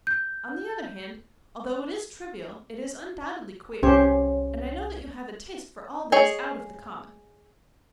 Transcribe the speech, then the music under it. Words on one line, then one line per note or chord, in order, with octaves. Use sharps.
On the other hand, although it is trivial, it is undoubtedly queer, and I know that you have a taste for all that is out of the common.
G6
C2 C#4 G4 C5 C#5
G#4 C#5 D#5 G#5